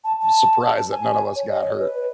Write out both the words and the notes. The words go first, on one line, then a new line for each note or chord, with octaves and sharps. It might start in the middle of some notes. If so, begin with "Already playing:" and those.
surprise that none of us got hurt
A5
A5
G#5
C#5
D#5
C#5
B4